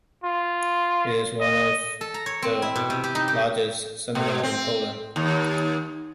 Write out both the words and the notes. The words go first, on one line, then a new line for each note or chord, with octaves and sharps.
It is one of the largest cinemas in Poland.
F4
D#5
A4
A#5
C#5
C4
E4
B2
C3
G4
D#4
G4
B2
C4
D#2